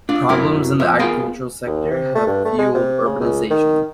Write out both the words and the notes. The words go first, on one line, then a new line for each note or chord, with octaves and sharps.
Problems in the agricultural sector have fueled urbanization.
D4 F4
F#2 B2 F#3 E4 A#4
F2 E5
B3 F4 G#4 A#4 F5 G5
D#2
C3
A3
G2
A3
G#3
C3
C#3
C#2
D#3